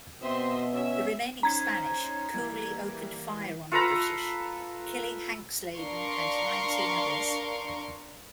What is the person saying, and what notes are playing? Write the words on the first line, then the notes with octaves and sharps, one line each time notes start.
The remaining Spanish coolly opened fire on the British, killing Hanxleden and nineteen others.
B2 C4 D#5 E5 C6
C#4 E5
C#4 D#4 C5 A#5 G#6
E3 G3 A#3
F4 A4 B4 A#5
D4 A#4 F5 A#5 C6 C#6